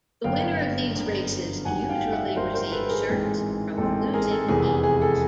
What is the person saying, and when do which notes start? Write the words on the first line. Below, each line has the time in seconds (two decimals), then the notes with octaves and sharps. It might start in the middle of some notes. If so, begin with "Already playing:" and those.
The winner of these races usually receive shirts from the losing teams.
0.24 G1 F#2 D3 F#3 B3 F5 G5
0.95 G1 F#2 D3 F#3 B3
1.65 G#1 F#2 D#3 G3 F#5 G#5
1.89 F5 G5
2.12 E5 F#5
2.36 G#1 F#2 D#3 G3 A#4 C5
2.54 A#4 C5
2.72 A4 B4
2.89 G#4 A#4
3.07 A1 G#2 E3 G#3 C4
3.77 A1 G#2 E3 G#3 C4 A4
4.13 G#4 A#4
4.31 A4
4.48 F1 E2 C3 E3 A3 G#4
4.83 G#4
5.02 A4